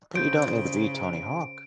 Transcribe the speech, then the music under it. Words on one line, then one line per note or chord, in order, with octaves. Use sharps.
But, you don't need to be Tony Hawk.
C#3 C5 G6 D7